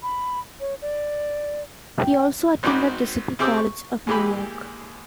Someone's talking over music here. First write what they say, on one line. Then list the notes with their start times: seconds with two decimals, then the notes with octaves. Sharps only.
He also attended the City College of New York.
0.03 B5
0.60 C#5
0.82 D5
2.01 G5
2.63 G#1 C4 D#4 F#4 B5 D6
3.39 C3 C4 G#4 C5 D6 E6
3.57 C#6
4.07 D#2 E3 G#3 G4 G#4 B5